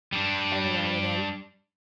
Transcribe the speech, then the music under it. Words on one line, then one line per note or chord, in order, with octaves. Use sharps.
every now and again,
G3 D4